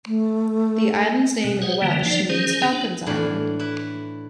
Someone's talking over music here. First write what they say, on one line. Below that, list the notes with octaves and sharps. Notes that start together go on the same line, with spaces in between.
The island's name in Welsh means "falcon's Island".
A3
B2
G#4 C5 C#5 F#5
D3 E3 G3 A#3
F3 G3 D#4 D5
D#3 C#4 G#4 C5
B3 D4
A2 E3 D4 F5 B5
E4 B4